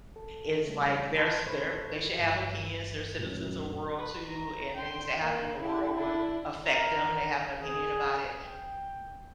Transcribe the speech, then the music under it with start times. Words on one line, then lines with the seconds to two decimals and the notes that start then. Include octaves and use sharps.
it's like there's there they should have opinions, they're citizens of world too, and things that happen in the world would affect them, and they have an opinion about it,
0.16 A4
0.64 C#3 E3 G3 A3
1.17 A5 B5 C6 F#6 G6
1.46 A2 A4 C5 B5 C#6 G#6
2.18 G1
3.19 F#2 A#2 A3
3.98 B4
4.27 A#5
4.74 G5 C6
5.19 A#3
5.61 E4 G4
5.95 D4 E4
6.65 A#4
7.60 G#4
8.41 G5